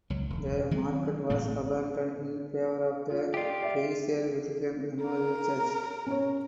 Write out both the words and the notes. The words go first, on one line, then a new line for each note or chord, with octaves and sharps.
The market was abandoned in favour of the Kaiser Wilhelm Memorial Church.
C#2 F#3
E1
D#3 F#3 G#3
A1 A2 A3 C4
F4
F4 G4 D5 D#5
D5 E5
A#4
C#4 C#5